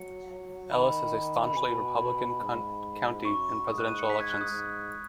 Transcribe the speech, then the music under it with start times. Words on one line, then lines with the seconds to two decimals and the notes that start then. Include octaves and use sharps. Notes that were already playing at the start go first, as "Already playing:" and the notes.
Ellis is a staunchly Republican county in presidential elections.
Already playing: F#3 C#7
0.72 D#3 B5
1.47 B5
1.56 B2 G#5
1.99 B5
2.41 G#2
3.25 F#2 C#6
3.67 G#2 D#6
3.78 F#6
3.88 D#7
3.99 C#7
4.10 B6
4.20 G#6
4.30 F#6
4.41 D#6
4.51 G#2